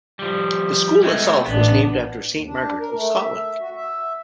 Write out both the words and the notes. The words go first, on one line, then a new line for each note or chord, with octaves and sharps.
The school itself was named after Saint Margaret of Scotland.
F3 G3
G#3 A3 C4
A1 B3 D4
D#2
D4
A#4
A3
E5
F#4
E5